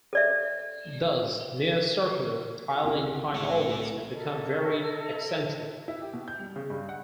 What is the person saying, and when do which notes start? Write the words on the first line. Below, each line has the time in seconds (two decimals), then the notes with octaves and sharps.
Thus, near-circular, highly inclined orbits can become very eccentric.
0.13 A4 D5 E5
2.83 C2 A#3 C#4 E4
3.35 A3 E4 F#5 C#6
4.12 E4 A4 A#4 D#5
5.88 E4
6.02 G4
6.13 B2
6.28 G6
6.40 G3
6.56 C#3
6.70 G2
6.89 F#5